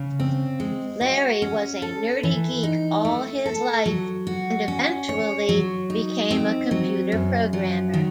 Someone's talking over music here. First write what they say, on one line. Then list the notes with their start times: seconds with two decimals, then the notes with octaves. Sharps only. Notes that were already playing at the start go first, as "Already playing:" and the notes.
Larry was a nerdy geek all his life and eventually became a computer programmer.
Already playing: C#3
0.20 C4
0.60 G#3
1.01 F#4
1.42 C#4
1.82 A4
2.23 E3
2.63 D#4
3.05 A3
3.46 A4
3.85 F#3
4.27 F#4
4.68 C#4
5.09 C#5
5.49 F#3
5.90 D#4
6.31 C4
6.71 F#3
7.12 F#2
7.53 F#3
7.94 D#3